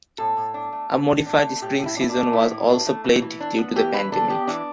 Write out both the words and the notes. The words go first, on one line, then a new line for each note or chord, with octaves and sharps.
A modified spring season was also played due to the pandemic.
A2 A4
A2
D4
A3
A2
A2
D4
A3
A2 G4
A2
E4
D4
E4
D4
A3
A2 E4
A2
D4
A3
E3
E3
D4
B3
E3 G4
E3 B4
D4 A4
B3 G4
E3 D4